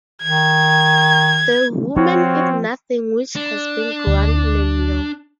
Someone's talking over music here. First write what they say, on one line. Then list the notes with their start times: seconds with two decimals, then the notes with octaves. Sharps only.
The women eat nothing which has been ground in a mill.
0.23 D#3 G#6
1.96 F3 C4 F4 F#4 C#5
3.36 D4
4.07 D2